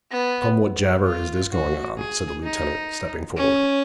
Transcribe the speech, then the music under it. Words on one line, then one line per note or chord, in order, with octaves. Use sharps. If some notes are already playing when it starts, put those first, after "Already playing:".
'Come, what jabber is this going on?' said the lieutenant, stepping forward.
B3
F4
F#4
G#4
D#4
C#4